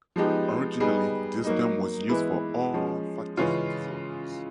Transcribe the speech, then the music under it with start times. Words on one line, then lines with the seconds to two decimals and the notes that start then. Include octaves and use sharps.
Originally, this term was used for all factitious disorders.
0.16 F3 G#3 B3 D#4 G4
0.80 G3 B3 D#4 G#4
1.44 F#3 A#3 D#4
2.09 E3 G#3 B3 E4
2.74 F3 G#3 C#4
3.37 C#3 E3 G#3 C#4 F4